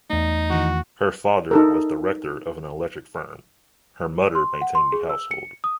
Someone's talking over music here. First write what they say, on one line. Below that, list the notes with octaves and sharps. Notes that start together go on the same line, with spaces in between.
Her father was director of an electric firm; her mother maintained the household.
E2 A3 D#4
D#3 E3 F#4
D#4 A4 A#4
C6
F#5
C6
G#4
E6
C#7
D#6